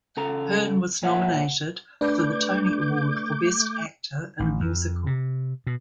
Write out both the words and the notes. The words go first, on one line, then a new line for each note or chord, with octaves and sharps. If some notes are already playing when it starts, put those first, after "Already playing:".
Hearn was nominated for the Tony Award for Best Actor in a Musical.
C#3 A4 A#5
A#2 C#5 E5 F#5
A3 D4 B4 D6 G6
A1
F2
C3
B2